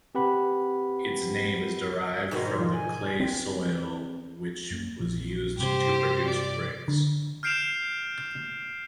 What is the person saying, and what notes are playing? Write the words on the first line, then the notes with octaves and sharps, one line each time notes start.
Its name is derived from the clay soil, which was used to produce bricks.
C4 G4 B4 F#5 B5
G#2 B2 D#3 F#4
C5
F4
G#5
C4
F#2 A#3 C#4
A#1 E3 F3
G2 C3 G4 C5
D5
D3
F6 G6 C7 D7 E7 F7